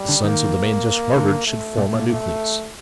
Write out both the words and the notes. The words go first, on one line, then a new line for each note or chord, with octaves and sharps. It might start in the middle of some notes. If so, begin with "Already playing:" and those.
The sons of the man just murdered should form a nucleus.
Already playing: G3
D3
D#3 A#3
D3
A3
A#2
A#2
A3